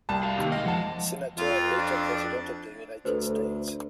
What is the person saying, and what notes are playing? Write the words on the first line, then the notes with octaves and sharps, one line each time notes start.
Senator and later President of the United States.
C2 A5
F#4 F5
C3 D#3 A#3
G#3 D#5 F5
F3 F#5 A5
F2 F4
D4
D2 A4 B4 C5